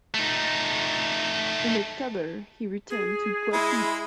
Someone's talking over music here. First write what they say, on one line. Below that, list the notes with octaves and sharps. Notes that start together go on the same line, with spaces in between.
In October he returned to Poitou.
A3 D#4
G#4
G#3 E4